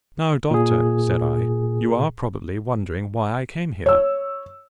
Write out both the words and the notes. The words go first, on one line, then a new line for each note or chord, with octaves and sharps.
"Now, Doctor," said I, "you are, probably, wondering why I came here?"
A#2 G#4
C#5 E6